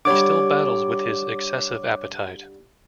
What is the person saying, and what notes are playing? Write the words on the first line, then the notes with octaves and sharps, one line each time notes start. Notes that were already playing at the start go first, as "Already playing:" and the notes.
He still battles with his excessive appetite.
D3 G3 C#5 D6